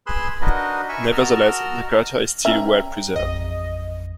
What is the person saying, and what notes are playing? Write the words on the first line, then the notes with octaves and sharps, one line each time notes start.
Nevertheless, the crater is still well-preserved.
G#4 B4 B5 C6 E6 F#6
D4 D#4 F#4 A#4 B4 D#5
E5 G#5 B5 C#6
F#4 A#4 D#5 A5 E6 F6
C#4 E5 G5 A#5
A1 F2 D#5